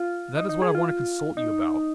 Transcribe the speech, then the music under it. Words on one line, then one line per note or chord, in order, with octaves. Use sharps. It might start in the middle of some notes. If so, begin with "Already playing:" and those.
That is what I want to consult you about.
Already playing: F4
D#4
D#4
G#4
F4
D#4